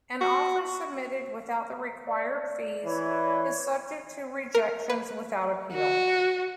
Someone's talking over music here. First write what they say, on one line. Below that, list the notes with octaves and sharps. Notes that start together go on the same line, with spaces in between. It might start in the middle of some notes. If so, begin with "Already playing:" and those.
An Offer submitted without the required fees is subject to rejections without appeal.
F#4
D5
E3 C#5
A#4
B4
F#4